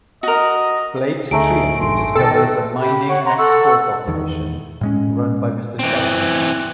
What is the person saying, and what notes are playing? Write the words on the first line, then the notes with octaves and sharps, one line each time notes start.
Blade's trio discovers a mining and export operation run by Mr. Chesney.
F#4 A#4 D#5
D2 A3 D#4 G#4 D7
A1 G2 C6
B2 D#3 A4 D5 D#5 G5
G4 B5
C#5 F#5 C#6
F#5 A#5 C6
A4 F#5 C#6 E6
E2 D#3
A2 G#3 C#4
E3 C4